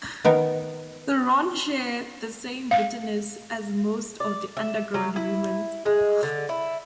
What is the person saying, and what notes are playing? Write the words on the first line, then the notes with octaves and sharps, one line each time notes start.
The Ron share the same bitterness as most of the Underground humans.
D#3 B3 A#4
F5
D5
E5
F#3
E4
G#3
D3
E4